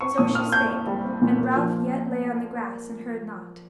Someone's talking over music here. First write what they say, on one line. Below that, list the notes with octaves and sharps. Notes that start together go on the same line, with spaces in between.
So she spake, and Ralph yet lay on the grass and heard nought.
C4 C#6
A#2 D#6
C4 F6
C4 G6
C4
G3
C4
A#2
A#3
F3